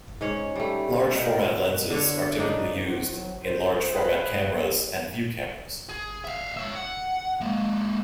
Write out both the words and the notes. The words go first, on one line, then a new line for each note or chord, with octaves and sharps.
Large format lenses are typically used in large format cameras and view cameras.
G#2 C#4 C#5
G3 A3
B2 A#4 C5
D3 D4 C#5
C#3 D4 D#4 D5
F#3
C5
G#4 B4 F5
G#4
E5 F5
C#5 E5
F#5
G#3 A#3